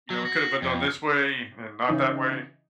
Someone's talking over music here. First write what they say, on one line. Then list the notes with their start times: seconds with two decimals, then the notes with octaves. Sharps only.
you know, it could have been done this way, and not that way.
0.10 F#3
0.25 F#4
0.62 F2
1.89 C#3 E3 D#4